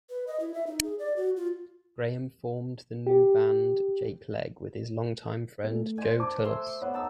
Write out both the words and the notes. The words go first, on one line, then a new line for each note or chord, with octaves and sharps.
Graham formed the new band Jakeleg with his long-time friend Joe Tullos.
B4
D#5
E4
E5
D#4
G#4
D5
F#4
F4
G4
A3 A4
C5 D5 G#5
A5 D6
A3 C6 E6
B3 C#5
D#4 A5 E6